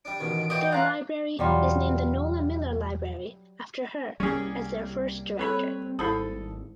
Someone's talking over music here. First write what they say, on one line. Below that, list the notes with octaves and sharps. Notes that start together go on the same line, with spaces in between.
Their library is named the Nola Millar Library after her as their first director.
G3 D4 D7
A1 B2 D#3
E3 F#4 D5 D#5 G5
F4 A#5 F#6
E2 B2 F#3 G3 F4
C2 G3 A#3 C#4 G#4
C4 A4 B4 C#5 B5
G#1 E4 A4 C5 B5 D#6